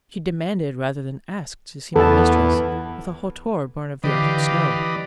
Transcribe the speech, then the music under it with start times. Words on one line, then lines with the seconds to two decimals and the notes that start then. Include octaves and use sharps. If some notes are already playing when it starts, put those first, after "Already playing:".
She demanded rather than asked to see my mistress, with a hauteur born of the arctic snow.
1.96 E2 B3 A4 A5
4.04 D3 E3 G4 B4 D5 D#5 F5 A#6